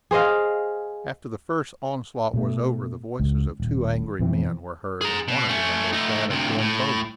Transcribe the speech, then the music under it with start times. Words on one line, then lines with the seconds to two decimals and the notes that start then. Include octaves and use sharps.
After the first onslaught was over, the voices of two angry men were heard; and one of them was that of Ben Bowman.
0.11 G#4 C5 D#5 F5
2.34 B2 A3
3.20 C#2
3.60 D#1
4.19 F2 B2 E3 C4
5.01 G#4 A#5
5.28 B2
5.49 A3 C#4
5.92 A3 D#4
6.30 D2 C3
6.58 A2